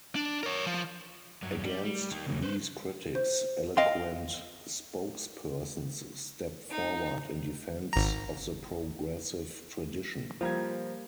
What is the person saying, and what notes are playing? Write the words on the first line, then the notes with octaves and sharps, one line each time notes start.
Against these critics eloquent spokespersons stepped forward in defense of the progressive tradition.
D4
A#4 C#5
F3
G2 F#3
G3
G3
D#3 A#3
C#3 F#3
B4 C5
C5
D#5 F5 G5 C6
D#4
G#1 A#5
F3 G3 A#3 F4 A#5 G#6